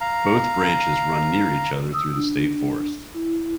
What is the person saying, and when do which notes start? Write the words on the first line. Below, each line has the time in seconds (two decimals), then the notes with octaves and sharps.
Both branches run near each other through the state forest.
0.01 F5 A#5
1.93 D#6 E6
2.16 D4
3.14 E4